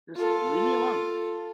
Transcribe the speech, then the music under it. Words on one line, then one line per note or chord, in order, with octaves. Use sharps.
Just leave me alone.
F4 A4